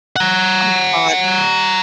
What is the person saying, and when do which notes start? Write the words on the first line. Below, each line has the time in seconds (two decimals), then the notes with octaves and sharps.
Oh god,
0.16 F#5 A#5